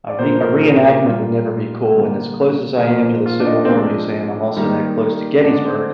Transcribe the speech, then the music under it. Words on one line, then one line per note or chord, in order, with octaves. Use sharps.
A re a reenactment would never be cool, and as close as I am to the Civil War Museum, I'm also that close to Gettysburg
D5
A#2 F3 A#3 C5
A#4
A#4
G#4
G4
A#2 G3 A#3 F4
D3 G3 A#3
G#4
A#2 F3 A#3 A#4
F4
D4
D#4
C4
C3 F3 G#3 D4
D#3 G3 A#3
D3 G#3 D4
C4